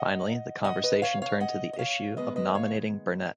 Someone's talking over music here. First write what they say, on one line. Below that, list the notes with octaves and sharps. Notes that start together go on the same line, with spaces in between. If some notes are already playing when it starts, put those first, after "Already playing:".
Finally, the convention turned to the issue of nominating Burnett.
Already playing: D#5 F#5
D#5 F#5
B4 D#5
C#5 F5
C#5 F5
D#5 F#5
D#5
C#5 F5
D#3 G#3 B3 B4 D#5
B4 D#5
C#5 F5